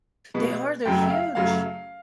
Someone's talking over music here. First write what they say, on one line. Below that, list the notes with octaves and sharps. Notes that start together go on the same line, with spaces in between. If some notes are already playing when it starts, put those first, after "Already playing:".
They are, they're huge.
B2 G#3 B3
F#2 C#3 F#3 A3 G5
E5
F5
F#2 C#3 F#3 A3 F5